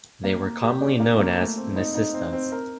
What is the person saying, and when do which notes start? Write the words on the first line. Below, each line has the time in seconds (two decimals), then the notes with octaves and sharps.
They were commonly known as "Nacistas".
0.24 A#3
0.43 A#3
0.62 G4
0.81 D4
1.00 A#3
1.19 A#3
1.38 A3
1.57 C4
1.76 D#4
1.95 D#4
2.14 C4
2.33 C4
2.52 A#4